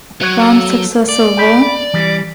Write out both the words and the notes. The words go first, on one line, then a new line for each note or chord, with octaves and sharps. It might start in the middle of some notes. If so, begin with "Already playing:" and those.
Bom Sucesso Vol.
F#3 B4 C#5
A4
D5
G5 B5
E3 G3